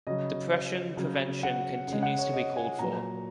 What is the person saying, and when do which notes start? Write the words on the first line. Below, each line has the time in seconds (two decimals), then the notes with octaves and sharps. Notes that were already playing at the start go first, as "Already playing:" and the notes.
Depression prevention continues to be called for.
0.07 C#3 F#3 D#5
0.97 C#3 F#3
1.43 F#5
1.88 C#3 G#3
2.03 F#5
2.19 C#5
2.33 D#5
2.56 G#5
2.79 A#2 F#3 A#5